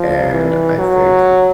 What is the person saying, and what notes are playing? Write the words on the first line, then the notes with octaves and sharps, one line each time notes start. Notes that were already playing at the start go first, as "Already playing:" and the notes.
And, I think
Already playing: F3
E3
F#3